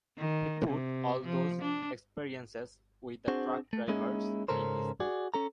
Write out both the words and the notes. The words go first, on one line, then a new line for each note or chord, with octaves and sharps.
He put all those experiences with the truck drivers in his book.
D#3
C3
F3
D4
C4 D4 F#4 G#4 C5
A3
G#3 A#3 C#4 D#4 E4 G#4
G#2 C#3 C#4 A4 A#4 C5
F#4 G#4 D5
C#4 A4 A#5